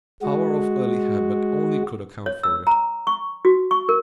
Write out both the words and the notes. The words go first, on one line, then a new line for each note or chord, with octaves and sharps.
The power of early habit only could account for it.
G#3 F#4
C#5
E6
A#5
C#6
F#4
C#6
A#4